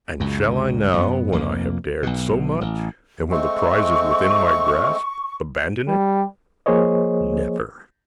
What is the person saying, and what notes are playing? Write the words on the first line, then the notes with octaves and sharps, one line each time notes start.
And shall I now, when I have dared so much, and when the prize is within my grasp, abandon it?--Never!
C#2 F#2
F#2 B3
F1 F2 A#3
B1 B2
A1
G#3 A3 C4 C#6
G3
F3 A#3 G#4 C5 C#5 D#5